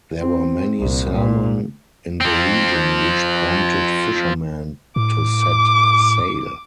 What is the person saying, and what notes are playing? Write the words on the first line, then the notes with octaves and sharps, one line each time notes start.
There were many salmon in the region, which prompted fishermen to set sail.
C4
C2 A#2
A#2
F3 C4
A2 D6